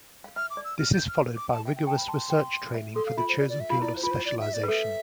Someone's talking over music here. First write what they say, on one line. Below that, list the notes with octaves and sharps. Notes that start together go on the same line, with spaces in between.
This is followed by rigorous research training for the chosen field of specialization.
F5
E5 F6
D6
D5
E6
F6
G6
F6
D6
A5
E5 G5
G5
G5 A5
B5
A5 C6
G5
E5
A4 C6
F5
F4 E5
C5
D5
D5
E5
F4 F5
E4 D5
C5
F4 B4
C5
D5
E5
D5
B4
A4 E5